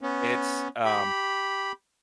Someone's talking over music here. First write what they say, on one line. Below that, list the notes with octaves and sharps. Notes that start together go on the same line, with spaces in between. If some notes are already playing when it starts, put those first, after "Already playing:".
it's, um
B3 C#4
G4 B5